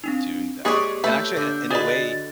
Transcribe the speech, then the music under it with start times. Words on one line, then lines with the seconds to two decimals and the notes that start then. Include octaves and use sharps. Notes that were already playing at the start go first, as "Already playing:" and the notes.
doing that. And actually, i in a way,
0.04 C4 D4 D#4
0.65 G#3 A#3 G4 G#4 B4 C#5 D5 C#6
1.04 A3 A4 B4 G6
1.36 D3
1.70 F#4 G#4 B4 D5 D#5 A6